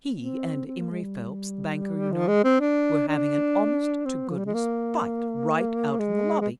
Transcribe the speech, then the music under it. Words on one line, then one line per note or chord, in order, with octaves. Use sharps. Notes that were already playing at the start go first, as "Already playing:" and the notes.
He and Emery Phelps, the banker, you know, were having an honest-to-goodness fight right out in the lobby.
C4
C4
A#3
G#3
G3
F3
G#3
C4
D4
D4
C4
F3
G3
G#3
A#3
G#3
G#3